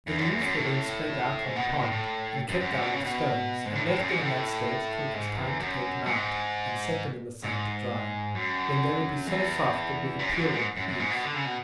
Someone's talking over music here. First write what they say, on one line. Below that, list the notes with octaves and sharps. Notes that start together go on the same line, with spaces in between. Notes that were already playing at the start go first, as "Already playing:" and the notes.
The leaves were then spread out in the pond, and kept down with stones, and left there in that state till it was time to take them out and set them in the sun to dry, when they would be so soft that we could peel them with ease.
E2
F#2
E2
F#2
A2
G#2
B2
B2
A2
A2
F#2
F#2
G#2
B2
C#3
B2
G#2
A2
A2
F#2
G#2
A2
G#2
E2
F#2
G#2
G#2
F#2
E2
F#2
G#2
F#2
G#2
F#2
F#2
G#2
B2
D3
C#3
B2